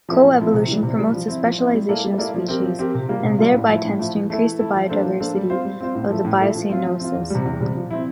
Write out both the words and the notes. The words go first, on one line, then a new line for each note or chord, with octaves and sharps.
Coevolution promotes the specialization of species and thereby tends to increase the biodiversity of the Biocenoses.
F3 C4 E4 A4
A#2
F3 C4 E4 A4
C3
E3 G3
C3
E3 G3
F3
C4 E4
F3
C4 E4
G3
A#3 E4 A4 D5
G3
A#3 E4 A4 D5
F3
C4 G4 A#4
F3
C4 G4 A#4
C3
G3 A#3 F4
C3
G3 A#3 F4
A2
F3 A3 E4
A2
F3 A3 E4
E3
A3 E4 A4
E3
A3 E4 A4
F3
A#3 D4 A4 C5
F3
A#3 D4 A4 C5
G3
C4 F4 C5
G3
C4 F4 C5
A2
F3 A3 E4 A4
A2
F3 A3 E4 A4
F3
C4 F4
F3
C4 F4
E2
C3 G3
E2
C3 G3
F3
C4 E4